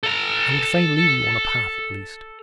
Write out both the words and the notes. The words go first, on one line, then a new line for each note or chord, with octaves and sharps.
I would fain leave you on a path, at least.
A4 A#5